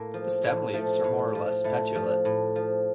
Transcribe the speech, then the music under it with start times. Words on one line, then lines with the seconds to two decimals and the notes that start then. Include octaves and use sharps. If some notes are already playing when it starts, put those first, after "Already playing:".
The stem leaves are more or less petiolate.
Already playing: A2 A#3
0.14 F3
0.43 A2
0.73 F3 A3
1.04 A2
1.35 F3
1.64 A2 A3
1.95 F3
2.25 A2
2.56 F3